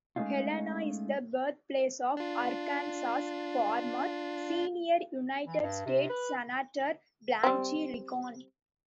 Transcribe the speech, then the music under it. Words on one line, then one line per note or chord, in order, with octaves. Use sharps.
Helena is the birthplace of Arkansas' former Senior United States Senator Blanche Lincoln.
G#3 A3 C#4 D#4 F4
D4 F4
E3
G2
C3
B4
G3 C4